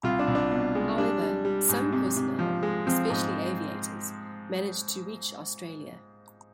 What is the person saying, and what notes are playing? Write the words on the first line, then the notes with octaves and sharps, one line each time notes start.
However, some personnel, especially aviators, managed to reach Australia.
C2 F4
D4
C2
D4
B2
G#3
G3 D4
G3
G3
G#2
C3
C3
F3
G#3
F3 C4
G#2